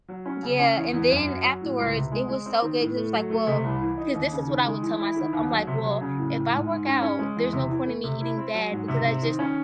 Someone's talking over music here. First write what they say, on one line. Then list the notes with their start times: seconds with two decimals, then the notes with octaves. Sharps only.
Yeah, and then afterwards, it was so good, 'cause it was like, "Well," 'cause this is what I would tell myself. I'm like, "Well, if I work out, there's no point in me eating bad, because I just,
0.08 F#3
0.26 C#4
0.42 C#3
0.59 C#4
0.76 E2
0.93 E2
1.10 F#2
1.27 F#3
1.44 F#3
1.61 A2
1.78 C#2
1.94 C3
2.12 G#3
2.28 G#3
2.46 C4
2.62 D#3
2.79 A2
2.96 A3
3.13 F#3
3.30 A3
3.47 C3
3.64 C2
3.81 E3
3.98 D#4
4.14 D#2
4.32 C#3
4.49 D#3
4.65 G#3
4.82 E3
4.99 E4
5.16 D#3
5.33 D#2
5.50 F#3
5.67 C3
5.84 F#3
6.01 C#3
6.17 A2
6.35 A2
6.52 G#2
6.68 G#2
6.85 C#4
7.02 C#4
7.19 G#3
7.36 E2
7.53 C3
7.70 E3
7.87 A3
8.04 C3
8.20 E4
8.38 C4
8.54 F#3
8.71 G#2
8.88 C3
9.05 C4
9.22 D#3
9.39 C#4